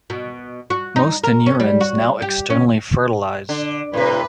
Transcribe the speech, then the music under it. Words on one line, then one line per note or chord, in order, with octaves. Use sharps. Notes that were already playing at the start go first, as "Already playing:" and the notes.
Most anurans now externally fertilize.
B2
F#4
D#4
A#4
C#4
G3
F#4
G4
C#4
D3
A2 C3 B4